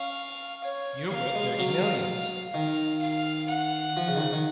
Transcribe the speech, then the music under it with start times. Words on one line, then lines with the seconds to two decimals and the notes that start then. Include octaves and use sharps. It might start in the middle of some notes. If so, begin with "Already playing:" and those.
You're worth thirty millions!
Already playing: C#4 F5
0.63 C#5
1.11 A#3 F5
1.35 G#3
1.59 F#3
2.53 D#3 F5
3.02 F5
3.50 F#5
3.97 F3
4.08 C#3
4.16 D#3
4.20 C#3
4.33 D#3